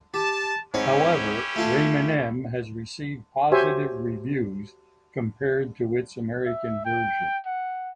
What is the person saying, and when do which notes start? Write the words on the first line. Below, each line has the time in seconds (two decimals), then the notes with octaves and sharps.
However "Rayman M" has received positive reviews compared to its American version.
0.14 G4 A5
0.74 G#2 C4 C#4 E4 G4 C#5
1.56 A3 F4 A4
3.51 F#4 G4 C5 C#5 E5 G#5
6.46 E5
6.86 G5
7.46 F#5